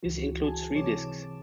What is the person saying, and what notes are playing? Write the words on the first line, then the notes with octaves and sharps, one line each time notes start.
This includes three discs.
C#2 E3 F#4
G#4 G#5 A5
C3 E3 C#5 A5 D6 E7